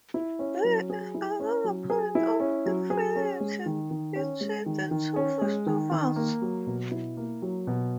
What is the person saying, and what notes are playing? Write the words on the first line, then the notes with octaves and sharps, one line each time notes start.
There is another point of affinity between the two festivals.
E4
C#4
F#3
G#4
E4
C#4
F#3
G#4
E4
C#4
F#3
G#4
C#4
G#3
D#3
D#3
C#4
G#3
D#3
D#3
C#4
G#3
D#3
D#3
A#3
F#3
B2
E4
A#3
F#3
B2